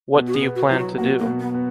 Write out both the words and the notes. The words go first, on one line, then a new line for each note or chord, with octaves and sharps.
What do you plan to do?
B2
F#4
G#4
B3
F#4
F#3 E4
F#4
A#3 F#4
A#3
B2
B3
B3